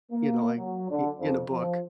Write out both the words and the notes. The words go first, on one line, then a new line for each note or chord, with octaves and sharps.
you know, like, in in a book.
A#3
F#3
D3
F2
F3